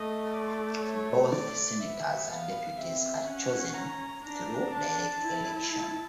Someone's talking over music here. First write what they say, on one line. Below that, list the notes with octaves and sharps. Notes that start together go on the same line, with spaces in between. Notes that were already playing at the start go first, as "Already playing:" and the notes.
Both senators and deputies are chosen through direct election.
Already playing: A3 D#5
D5
C#5
D5
B3 E5
F5
C4 E5
C#4 F#5
A#5
D4 A#5
A5
E4
A5